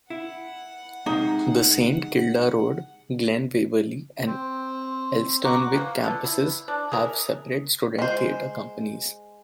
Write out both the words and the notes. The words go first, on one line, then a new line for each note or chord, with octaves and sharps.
The Saint Kilda Road, Glen Waverley and Elsternwick campuses have separate student theatre companies.
E4 F#5
C3 G#3 D#4
C4
F#5 A#5 C#6 D6
A#3 C#4 F#5
D3 B3 F4 A4
E4
D4
G#4 A#4 D5 E5
G#3 C5